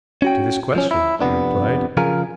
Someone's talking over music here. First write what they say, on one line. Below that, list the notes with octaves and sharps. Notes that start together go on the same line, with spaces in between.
"To this question," I replied.
C#4 F#4 G5
F3 C#4
E4
F2 C3 F3 B3 D4
C#3 F3 F4 G#4 A#4